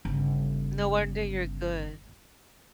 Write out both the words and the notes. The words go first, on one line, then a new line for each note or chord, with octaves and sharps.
no wonder you're good,
G1 C#3